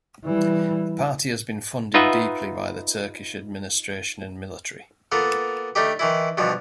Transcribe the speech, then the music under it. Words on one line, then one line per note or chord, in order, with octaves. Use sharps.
The party has been funded deeply by the Turkish administration and military.
E3 G3
D#4 F4 B4 D#5 E5 F#5
A#3 B3 F4 A4
A3 D4 D#4 G4
D#3 E3 E4
G2 B2 F3